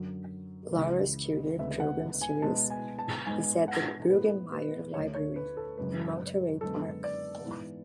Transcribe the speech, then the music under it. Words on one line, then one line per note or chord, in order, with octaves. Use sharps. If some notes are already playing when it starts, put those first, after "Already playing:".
Laura Scudder Program Series is at the Bruggemeyer Library, in Monterey Park.
Already playing: F#2 D3 F#3
C#2 C#3 E3
D2 C#3 G#3 B3 E5
F#5
G#5
B2 G#3 B3 A5
G#5
A5
G#2 G#3 B3 G#5
F#5
A2 G#3 B3 B4
B4
D2 D3 A3 C#5
C#5
B4
A4
F#2 C#3 G#3 B4
F#2 D3 G#3 B3 A4
D5
G#2 E3 B3